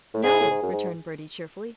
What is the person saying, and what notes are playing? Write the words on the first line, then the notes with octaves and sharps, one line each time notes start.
"No'm," returned Bertie cheerfully.
A2
G#2 G#4
A2
G#2
F#2
G#2